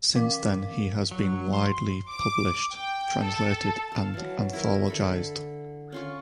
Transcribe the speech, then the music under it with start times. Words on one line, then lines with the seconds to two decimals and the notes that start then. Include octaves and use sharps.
Since then he has been widely published, translated and anthologised.
0.15 E3 A#4 F5 D6 B6
1.11 F#3
1.53 C6
2.10 D6
2.72 G5
3.20 A4
3.92 F5 A5
4.14 E3 F#3
4.53 E4 A#4
4.88 D3 A4 B5
5.92 C#4 F4 C#6